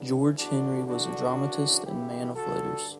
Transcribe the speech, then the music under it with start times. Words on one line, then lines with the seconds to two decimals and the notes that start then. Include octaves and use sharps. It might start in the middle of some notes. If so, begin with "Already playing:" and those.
George Henry was a dramatist and man of letters.
Already playing: C#2 C#3 E3 B3 D4
0.38 E2 D3 D4 F#4
0.88 D4 F#4
1.37 F#2 C#3 E3
1.87 E4 G4
2.36 G2 D3 F#4 A4